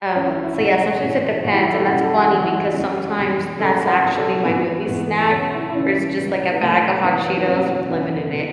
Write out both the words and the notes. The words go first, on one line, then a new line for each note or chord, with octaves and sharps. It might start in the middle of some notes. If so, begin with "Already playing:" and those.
um, so yeah, sometimes it depends, and that's funny because sometimes that's actually my movie snack where it's just a bag of Hot Cheetos with lemon in it.
C#2 C#3 E3 C#4
E4
E4
C#2 B2 F#4
B1 A2 E3
B1 A2 E3 F#4
E4
E4
A4
F#4
F#1 F#2 C#3 E3 F#4
A4
F#4
F#1 E2 E3 F#4
E4
F#4
F#1 E2 C#3
F#1 E2 B2
F#1 F#2 C#3 A4
F#4
F#4
C#2 B2
A4
F#4
E1 E2 B2 B3
E1 E2 E3
C#2 B2 C#4
E4
E4
C#2 C#3 E3 C#4
C#2 B2
B3
C#2 B2 A3
F#1 E2 E3 B3
B3
F#1 E2 B2 C#4
F#1 F#2 C#3 E3 B3
B2